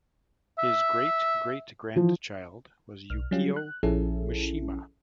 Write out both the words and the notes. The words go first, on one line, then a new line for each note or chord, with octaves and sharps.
His great-great-grandchild was Yukio Mishima.
E5
E3 F3
B1 F6
F#3 G3 C#4 F4 G4
F#6
A#1 F3 C#4 E4 G#4 A4